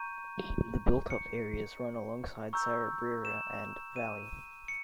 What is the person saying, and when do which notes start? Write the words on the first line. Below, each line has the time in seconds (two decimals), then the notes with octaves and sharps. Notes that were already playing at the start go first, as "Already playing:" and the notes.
The builtup areas run alongside Sarab River and Valley.
Already playing: A#5 C#6 G6 D#7
1.10 C#7
2.53 A#5 C#6 E6 G6
3.25 E7
3.96 D#7
4.68 C#7